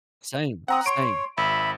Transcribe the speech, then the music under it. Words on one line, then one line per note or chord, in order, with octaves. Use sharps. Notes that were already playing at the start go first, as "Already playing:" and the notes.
Same, same.
C4 F#5 A#5 D#6
C#5 C6 D7
G#1 E5 B5